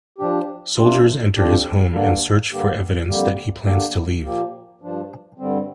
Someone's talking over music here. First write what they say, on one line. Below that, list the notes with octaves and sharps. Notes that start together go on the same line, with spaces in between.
Soldiers enter his home and search for evidence that he plans to leave.
F3 D4 G4
C3 A#3 D4 F4
F2 F3 D4 G4
G2 D3 A#3 D4
G2 D3 A#3 G4
F2 D3 G3 A#3 G4
D3 A#3 D4 G4
A#2 F3 A#3 G4
G2 F3 D4
G2 D3 G3 C4